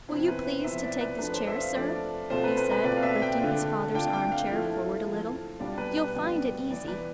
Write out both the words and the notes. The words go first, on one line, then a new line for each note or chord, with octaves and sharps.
"Will you please to take this chair, sir?" he said, lifting his father's arm-chair forward a little: "you'll find it easy."
C3 F3 B3 E4 C5
B4
C5
C3 F3 B3 E4 E5
E5
D5
B4
F3 A3 D4 B4
C5
E5
F5
F3 A3 D4 D5
B2 A3 C4 F4 C5
B4
B4
B4
B2 A3 C4 F4 D5
F5
E5
G5
D3 A3 D4 F4
D3 A3 D4 F4 G5
G5
F5
F3 A3 E4
F3 A3 E4
B2 G3 B3 D4 F4 D5
B4
B4
B2 G3 B3 D4 F4
E3 B3 E4 D5
B4